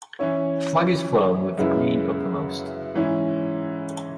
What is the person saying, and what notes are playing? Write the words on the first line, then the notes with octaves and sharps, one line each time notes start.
The flag is flown with the green uppermost.
E3 C#4 E4 C#5
F#2 C#3 G#3 E4 B4
G#2 E3 C#4 E4